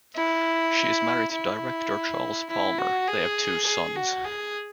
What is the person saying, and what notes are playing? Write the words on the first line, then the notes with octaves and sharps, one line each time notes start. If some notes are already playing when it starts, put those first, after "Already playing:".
She is married to director Charles Palmer; they have two sons.
E4
E4
E4
F#4
G#4
G#4
F#4
G#4